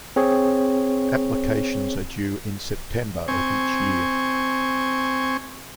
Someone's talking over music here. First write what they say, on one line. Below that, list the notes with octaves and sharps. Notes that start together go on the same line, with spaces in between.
Applications are due in September of each year.
C4 G#4 C#5
C4 G#5 C#6